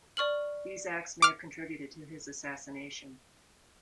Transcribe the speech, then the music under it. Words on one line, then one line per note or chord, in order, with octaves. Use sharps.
These acts may have contributed to his assassination.
D5 C#6 F6 F#7
D6 F6